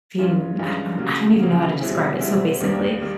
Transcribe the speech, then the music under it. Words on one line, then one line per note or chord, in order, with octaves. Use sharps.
being I don't I don't even know how to describe it. So, basically
G2 E3 G#3 C#4 F4
G2 E3 G#3 C#4 F4
C#3 F#3 A#3
C#3 F#3 A#3
B2 G3 C4 E4 G#4
B2 G3 C4 E4 G#4
D#2 D#3 G3 A#3 D4
D#3 G3 A#3